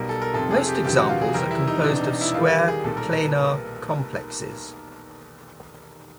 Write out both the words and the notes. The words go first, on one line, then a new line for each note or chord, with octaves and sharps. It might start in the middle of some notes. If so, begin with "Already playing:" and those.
Most examples are composed of square planar complexes.
Already playing: B1 B2 G3 A#4
A4
A#4
F1 F2 C3 A4
G#4
G4
E1 D#2 C#3 F3 G4
F#4
F4
G#4
F2 C3 E3 G3 A#4
E4
D#4
E1 E2 C3 D4
D#4
E4
D#2 D#3 G3 F4
G4
G#4
B1 A#2 G3 A4
A#4
B4